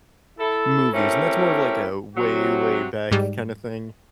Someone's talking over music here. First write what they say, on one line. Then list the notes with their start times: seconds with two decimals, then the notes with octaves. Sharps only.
movies, and that's more of like a way, way back kind of thing,
0.38 E4 A4
0.93 A3 C4 C#4 E4 G4 A#4
2.16 C3 F#3 F#4
3.12 G#2 G3